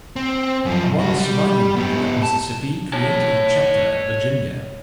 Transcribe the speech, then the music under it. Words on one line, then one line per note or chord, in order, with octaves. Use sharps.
One surviving group at Mississippi created a chapter at Virginia.
C4
F#2 F3
C#3 F#4
G3
B3 G4
A5
C#5 A5